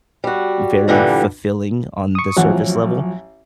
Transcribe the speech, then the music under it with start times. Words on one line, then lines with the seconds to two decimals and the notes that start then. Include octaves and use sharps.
very fulfilling on the surface level.
0.24 G3 F#4
0.88 G2 A#2 D3 E3 G3
2.15 C#6 D#6
2.37 A1 F3 F#3 F#5